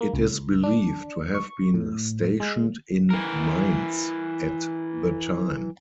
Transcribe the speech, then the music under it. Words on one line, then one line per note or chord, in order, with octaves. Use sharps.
It is believed to have been stationed in Mainz at the time.
A#3
C#2
C#2
D4
C#6
A2
G#3
E3 A#4